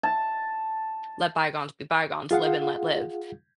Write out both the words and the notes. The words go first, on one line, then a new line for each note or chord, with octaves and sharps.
let bygones be bygones? Live and let live."
A5
F4 G#4 F5 F#5